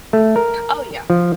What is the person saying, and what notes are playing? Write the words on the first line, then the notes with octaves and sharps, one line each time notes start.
Oh, yeah.
A3
A#4
F3